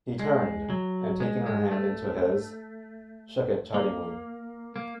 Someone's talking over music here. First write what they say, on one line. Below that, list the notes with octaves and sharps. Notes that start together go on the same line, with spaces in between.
He turned, and taking her hand into his, shook it chidingly.
G#3
F#3
G#3
G#3
A3
A#3
A#3